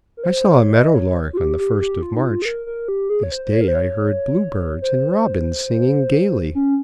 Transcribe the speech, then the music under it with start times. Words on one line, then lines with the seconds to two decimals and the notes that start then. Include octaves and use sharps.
I saw a meadow-lark on the first of March; this day I heard blue-birds and robins singing gaily.
0.17 A#4
0.24 C5
0.52 C#5
0.74 D#5
0.95 C#5
1.33 F4
1.37 G4
1.59 G4
1.80 G4
2.02 F4
2.16 D#4
2.24 F4
2.42 G#4
2.45 A#4
2.66 A#4
2.88 G4
3.10 G#4
3.23 C#5
3.32 C5
3.45 C5
3.53 C#5
3.61 A#4
3.68 C5
3.75 C#5
4.82 C5
6.55 C#4